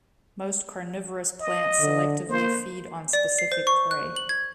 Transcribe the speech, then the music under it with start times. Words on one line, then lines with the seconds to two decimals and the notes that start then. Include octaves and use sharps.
Most carnivorous plants selectively feed on specific prey.
1.40 D#5
1.80 D3
2.29 A#3 C5
3.13 D5
3.38 C7
3.52 C5
3.67 C#6
3.91 F#6
4.16 F#7
4.29 G#6